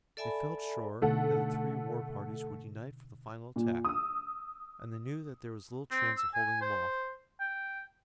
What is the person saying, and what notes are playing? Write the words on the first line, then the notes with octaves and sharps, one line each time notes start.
They felt sure that the three war-parties would unite for the final attack, and they knew that there was little chance of holding them off.
A4 D5 E5 G#5 A5 B5
B2 D3 A3 D#4 A4 F#5
A#2
D#6 E6
C4
E6
G#5
C5
G5